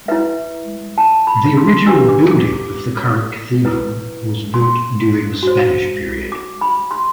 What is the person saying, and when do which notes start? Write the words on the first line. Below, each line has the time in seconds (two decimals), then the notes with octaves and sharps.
The original building of the current cathedral was built during the Spanish period.
0.08 E4 B4 E5
0.98 A5
1.27 B5
1.57 C6
1.86 D4 G4 B4 E6
2.08 D6
2.31 D6
2.53 D6
3.65 E4 B4
4.54 C6
5.43 F#4 C5
6.32 D6
6.61 B5
6.91 C6